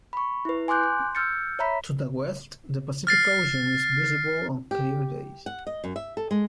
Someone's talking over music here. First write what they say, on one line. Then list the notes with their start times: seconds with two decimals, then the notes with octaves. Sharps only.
To the west, the Pacific Ocean is visible on clear days.
0.13 B5 C#6
0.45 E4 B4
0.68 G#5 C6 D6 F#6 G6
0.83 C6
1.15 E6 F6 G6 A6 C#7
1.59 C#5 E5 A#5 B5 B6
3.07 F6 A6 C7
4.71 G4
5.46 F#5
5.67 D#5
5.84 F#2
5.96 E5
6.17 A4
6.31 G#3